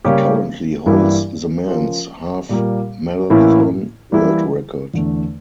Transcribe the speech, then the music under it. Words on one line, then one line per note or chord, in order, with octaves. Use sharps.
He currently holds the men's half marathon world record.
C#3 G3 A#3 C#4 G4
G2 E3 G3 A#3 E4
F3 C#4 F4 A#4
A#2 G3 A#3
A2 E3 A#3 C#4 E4
E3 G3 A#3 E4
E2 D3 A3